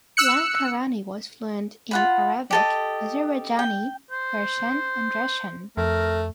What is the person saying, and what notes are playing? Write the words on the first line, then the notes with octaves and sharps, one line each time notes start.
Lankarani was fluent in Arabic, Azerbaijani, Persian, and Russian.
E6 F#6 C#7
F4 F#5 B5
G4 A4 D#5
G5
C5
F2 A3 A#4